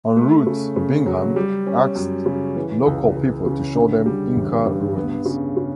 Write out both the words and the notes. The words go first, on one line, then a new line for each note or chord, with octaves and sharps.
En route Bingham asked local people to show them Inca ruins.
A3
C#3
C#3
F#3
G3
C#4
F#2
C#3
E3
C#2
C#2
C#3
D3
G3
A1
G2
B3
C#3
C#3